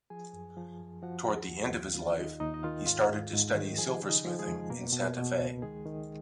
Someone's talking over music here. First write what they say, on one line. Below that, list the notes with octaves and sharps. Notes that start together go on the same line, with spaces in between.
Toward the end of his life he started to study silversmithing in Santa Fe.
F3 G#4 G#5
F#2
F3
F#2
F3 F#4 F#5
D#2
D#2
D#2
D#2 F4 F5
D#3 D#4 D#5
D#2 D#4 D#5
D#5
D#3 F4 F5
G#2 F4 F5
G#2
G#2
D#3
F3 G#4 G#5
C#3
D#4 D#5
F3
G#3 G#4
F2
B2 A#3 A#4
B2
B2
C#2
D#3 G#3 G#4
D#3